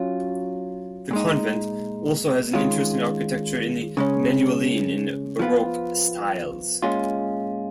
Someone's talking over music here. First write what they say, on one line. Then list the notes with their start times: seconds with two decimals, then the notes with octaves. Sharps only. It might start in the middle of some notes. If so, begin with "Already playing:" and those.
The Convent also has interesting architecture in Manueline and Baroque styles.
Already playing: F#3 C#4 F4
1.11 A#2 G#3 D#4
2.54 D#3 G#3 C#4 F4
3.97 C#3 G#3 C#4
5.39 F3 B3 F4
6.82 A#2 G#3 C#4 F4